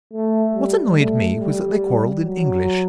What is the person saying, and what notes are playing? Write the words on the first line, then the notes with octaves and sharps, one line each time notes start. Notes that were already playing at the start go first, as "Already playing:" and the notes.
What annoyed me was that they quarrelled in English.
A3
G3
A3
G3
F#3